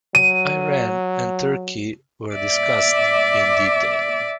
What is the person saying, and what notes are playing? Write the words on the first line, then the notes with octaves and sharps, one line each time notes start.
Iran and Turkey were discussed in detail.
F#3 D#7
D5 E5